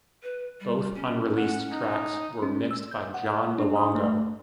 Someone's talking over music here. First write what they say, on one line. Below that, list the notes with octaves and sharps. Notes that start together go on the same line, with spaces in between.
Both unreleased tracks were mixed by John Luongo.
B4
G3
C#4
F#5
D#4
C#4
E6
G6
F#5
D4
D#6
A3